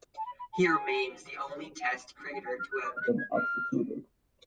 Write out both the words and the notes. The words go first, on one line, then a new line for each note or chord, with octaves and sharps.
He remains the only Test cricketer to have been executed.
A5
B5
B5
A5
G#5
F#5
G#5
G#5
F6
F#6
D6
F6
F#6
G#6
F6